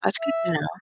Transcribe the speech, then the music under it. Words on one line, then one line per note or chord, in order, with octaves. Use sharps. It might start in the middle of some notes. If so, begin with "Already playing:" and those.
that's good to know.
E5